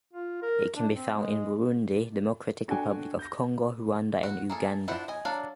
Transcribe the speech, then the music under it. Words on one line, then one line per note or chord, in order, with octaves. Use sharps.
It can be found in Burundi, Democratic Republic of Congo, Ruanda and Uganda.
F4
A#4
D4
C4
G#3
D4 F#4 A4 G5 G#5
G6 A#6
F#4
A#3 G#4 A4
D4 E4 F4 C5 F#5
D#5 G#5
F#3 D4 D5 F5